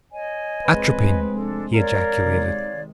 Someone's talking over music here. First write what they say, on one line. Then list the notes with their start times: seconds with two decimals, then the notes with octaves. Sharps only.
"Atropin!" he ejaculated.
0.12 C#5 D#5 G#5
0.66 F1 G#3 C4 B4
1.33 D4 A4
1.74 A#4 C#5 D5 F5
2.23 C3 D#3 G#3